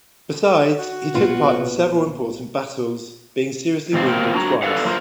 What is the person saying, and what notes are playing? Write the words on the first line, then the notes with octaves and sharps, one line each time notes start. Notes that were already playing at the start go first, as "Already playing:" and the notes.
Besides, he took part in several important battles, being seriously wounded twice.
F#4
B1 A#2 B3 F4
E2 G#2 C4 F4
A#3 B3 F4 A#4 C5 G5
D4 F#4 A#5
A4 B4 C5 D5 F5 F#5
F#3 A#3 F4 A#4 C5